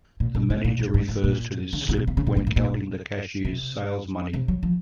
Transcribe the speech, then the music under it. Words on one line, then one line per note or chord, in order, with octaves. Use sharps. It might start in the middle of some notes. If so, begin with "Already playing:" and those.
The manager refers to this slip when counting the cashier's sales money.
A#2
B2
C3
A#2
A2
G#2
A2
A#2
D3
C#3
C3
B2
C3
C#3
B2
A#2
A2
A#2
C3
C3
F#3
F3